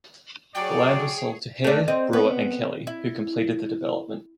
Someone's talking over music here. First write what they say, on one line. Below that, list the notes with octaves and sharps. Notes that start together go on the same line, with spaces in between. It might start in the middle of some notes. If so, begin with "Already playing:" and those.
The land was sold to Hare, Brewer, and Kelley, who completed the development.
F#3 G#4 C#5 D5 G5
A3 D4
C4 D#5
B3
E4